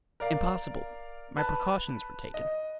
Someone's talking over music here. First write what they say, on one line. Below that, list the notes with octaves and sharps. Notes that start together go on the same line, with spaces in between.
"Impossible; my precautions were taken."
A#4 D5 F5
B4 A5
D#5